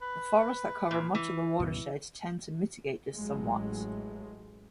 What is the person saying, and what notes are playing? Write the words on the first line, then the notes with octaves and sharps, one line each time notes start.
The forests that cover much of the watershed tend to mitigate this somewhat.
B4
A#2
E3
C#2 G2 B2
A1 A2 F#3 G#3